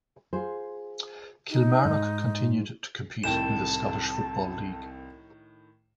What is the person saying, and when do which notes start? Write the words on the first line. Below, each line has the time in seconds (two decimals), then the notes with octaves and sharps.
Kilmarnock continued to compete in the Scottish Football League.
0.33 F4 G#4 C5
1.50 D#4
1.85 G#2
3.24 C2 A2 D#3 A4 G5 A5 E7